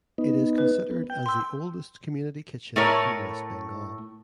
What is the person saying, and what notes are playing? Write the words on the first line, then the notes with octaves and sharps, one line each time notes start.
It is considered as the oldest community kitchen in West Bengal.
B3 D#4
B4
B3
G5
C6 E6
A2 A3 E4 A#4 C#5